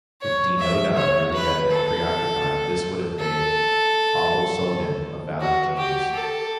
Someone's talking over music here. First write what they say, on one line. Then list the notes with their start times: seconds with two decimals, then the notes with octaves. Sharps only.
If "Deinodon" really had been preoccupied, this would have made "Aublysodon" a valid genus.
0.21 C#5
0.59 E5
0.96 C#5
1.33 B4
1.70 A4
3.18 A4
5.40 F#4
5.77 G4
6.14 A4